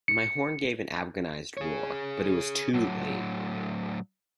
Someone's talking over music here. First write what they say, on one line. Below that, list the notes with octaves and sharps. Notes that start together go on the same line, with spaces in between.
My horn gave an agonised roar, but it was too late.
C#7
G#4 C#5
A2 F#3